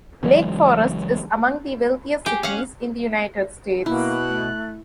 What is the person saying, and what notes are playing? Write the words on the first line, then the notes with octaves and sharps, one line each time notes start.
Lake Forest is among the wealthiest cities in the United States.
C#2 E3 F#3 G#3
G4 G#4
C#4 F5 F#5
B2 A#3 E4 F#6
A3